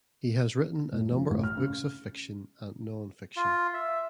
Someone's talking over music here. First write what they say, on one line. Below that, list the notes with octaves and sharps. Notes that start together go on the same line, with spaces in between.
He has written a number of books of fiction and non-fiction.
A2
F3
A1
F6
C#3
F4
E5